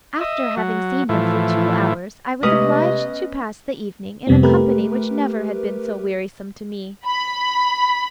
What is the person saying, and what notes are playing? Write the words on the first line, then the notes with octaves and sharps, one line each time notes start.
After having seen him for two hours I was obliged to pass the evening in a company which never had been so wearisome to me.
D#5 E5
F#3
A2 E3 F3
C3 G#3 A3 B3 C#4 B4 D#5 D#6
F2 C3 G3 B3 C4
A3 G4 A#4 B4
B5